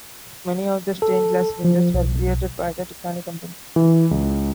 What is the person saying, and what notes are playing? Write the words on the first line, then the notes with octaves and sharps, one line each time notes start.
Many of the stained glass windows were created by the Tiffany Company.
A4
F3
B1
E3
C#2